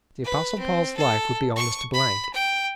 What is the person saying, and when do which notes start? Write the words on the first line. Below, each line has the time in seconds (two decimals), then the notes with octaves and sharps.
The Apostle Paul's life would be almost a blank.
0.24 B4
0.59 C4
0.97 A4
1.56 C#6
1.94 B5
2.33 G5